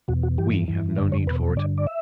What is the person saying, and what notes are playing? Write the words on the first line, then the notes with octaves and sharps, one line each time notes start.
We have no need for it.
E2 B2 F#4
F#4
G2 E3 G4
G2 E3
F#2 D3 D5
C#5
E2 B2 B4
G2 D3 D5
D5
E5